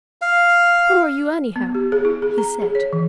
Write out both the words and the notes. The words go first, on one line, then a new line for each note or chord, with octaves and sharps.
"Who are you, anyhow?" he said.
F5
B3
G4
G#4
E4
G#4
A#5
G#4
C#5
E3